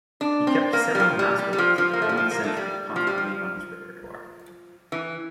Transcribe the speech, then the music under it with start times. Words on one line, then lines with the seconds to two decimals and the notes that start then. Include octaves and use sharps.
He kept several masterworks of the twentieth century constantly on his repertoire.
0.21 D4
0.47 C4
0.73 A#3
0.95 G3
1.00 F3
1.19 G3
1.39 G3
1.53 G3
1.58 F3
1.78 F3
1.93 A#3
2.02 A3
2.09 G3
2.17 F3
2.31 A#3
2.44 A3
2.57 G3
2.96 F3
3.07 G3
3.18 F3
4.92 E3